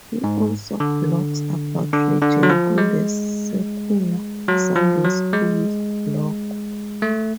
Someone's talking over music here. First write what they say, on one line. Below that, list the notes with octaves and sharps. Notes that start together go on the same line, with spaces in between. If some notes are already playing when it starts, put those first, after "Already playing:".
He also blogs about religion on the Secular Sunday School blog.
G#2
D3
D3
D3
F#3
F3
G#3
F#3
F3
F#3
G#3
A3